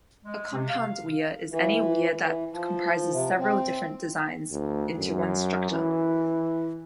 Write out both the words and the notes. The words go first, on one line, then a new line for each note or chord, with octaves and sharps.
A compound weir is any weir that comprises several different designs into one structure.
G#3
C3
F5
E3
E3
F3
C3
C4
D2
F#2
E3